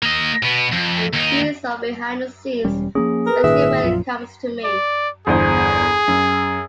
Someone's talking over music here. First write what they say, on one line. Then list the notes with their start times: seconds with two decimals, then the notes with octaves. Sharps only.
And he's so 'behind the scenes,' especially when it comes to me.
0.03 A#3 D#5
0.43 B2 B3
0.73 F2
1.14 D#2 D#4
2.65 E1 G3 C#4
2.95 F3 A#3 C#4 G#4
3.27 A#4 B4
3.44 G#1 A#2 D#3 G#4 E5
3.83 A#1 F#2 F4
4.64 D5
5.27 G1 E2 G#4 C5
6.08 F#2